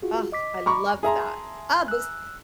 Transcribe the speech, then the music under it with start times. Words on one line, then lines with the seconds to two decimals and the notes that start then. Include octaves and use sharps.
Ugh, I love that. Oh, this
0.02 F4 F#4 G#4
0.32 D#5 D6 B6
0.66 A#5 B5 C#6 D6
1.03 G#4 E5 A5 A#5 C6
1.88 E6 F#6